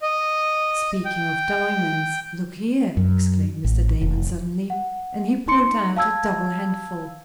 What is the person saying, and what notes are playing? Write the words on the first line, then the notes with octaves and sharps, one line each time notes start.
"Speaking of diamonds, look here!" exclaimed Mr. Damon, suddenly, and he pulled out a double handful.
D#5
G5
F#2
A1
F1
F#5
D#4 C6 C#7
F5 A5 E6 G#6